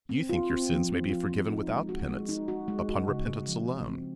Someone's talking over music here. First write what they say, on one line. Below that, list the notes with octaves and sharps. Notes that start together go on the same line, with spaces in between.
You think your sins may be forgiven without penance, upon repentance alone.'
C4
F4
C4
F3
C4
F4
C4
D#4
G#3
F#4
G#3
D#4
F#4
G#3
F#4
C#3
C#3
F3
F3
C4